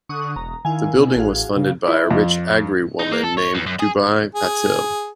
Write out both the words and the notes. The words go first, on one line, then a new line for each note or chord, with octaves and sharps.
The building was funded by a rich Agri woman named Deubai Patil.
D3 C#6 D#6 F#6
E1 A#5
D#3 E4 F5 G#5
B2
A1 F#4 G#4 F5
C#3
E4
F2
D#4
A#3
A4
C#5
E2
F#2
G#4
G#4